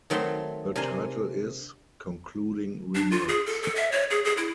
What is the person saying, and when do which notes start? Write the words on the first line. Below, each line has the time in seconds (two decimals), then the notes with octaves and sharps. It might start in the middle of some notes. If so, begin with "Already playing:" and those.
The title is, Concluding Remarks.
0.10 D#3 F#3 A3 C4 E5 C6
0.76 C3 D4 A#4 G#5 C6
2.95 D4
3.11 F4
3.28 G#4
3.46 A4
3.63 A4
3.75 E5
3.92 C#5
4.10 G#4
4.25 G#4
4.37 E4